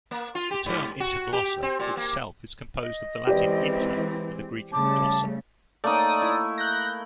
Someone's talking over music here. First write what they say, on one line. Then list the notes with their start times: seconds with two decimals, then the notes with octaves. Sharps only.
The term "Inter-glossa" itself is composed of the Latin "inter" and the Greek "glossa".
0.11 A#3
0.35 F4
0.51 G4
0.66 G#2
1.00 F#4
1.33 G4
1.62 C4
1.79 A#2
1.97 A#3
2.82 D#5
3.27 C#2 F#2 E3 G#3 C4 G4 B4 D5
4.73 C#3 G3 A3 A5 D6
5.84 A3 A#3 D#4 D5 D#6
6.22 E4
6.58 F#6 G6 A#6